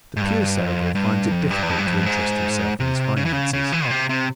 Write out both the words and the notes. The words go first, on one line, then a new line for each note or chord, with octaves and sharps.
The pure Cerebral finds it difficult to interest himself in his finances.
G#2
G2
F2
G2
F2
G2
E2
F2
G2
F2
G#2
C3
C#3
E3
C#3
C#3
E3
A#2
C3
C3